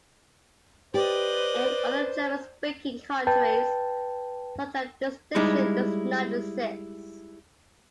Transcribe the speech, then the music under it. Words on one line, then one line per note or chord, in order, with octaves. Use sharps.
In other German-speaking countries such a distinction does not exist.
G4 B4 C5 D5 D#5
B4 G5 A5
G3 G#3 D#4 E4